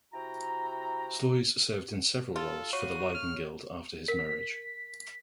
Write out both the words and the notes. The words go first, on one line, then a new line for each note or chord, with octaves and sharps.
Sluys served in several roles for the Leiden guild after his marriage.
C3 E4 F#4 G5 A#5
F4 A4
F#4 C#5 C#6 D#7
F6
A#4 B6